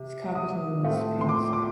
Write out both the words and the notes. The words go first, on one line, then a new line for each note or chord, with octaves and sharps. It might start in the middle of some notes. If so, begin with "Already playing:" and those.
Its capital was Pinsk.
Already playing: C3
D#6
A2 A3 C4
C6
D6
D6